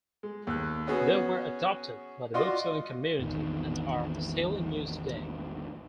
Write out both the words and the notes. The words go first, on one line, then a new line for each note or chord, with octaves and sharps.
They were adopted by the bookselling community and are still in use today.
G#3
D#2 F#6
B3 C#4 F#4 G#4
F4 F#4 D5 D#5 C6
A1 E2 D#3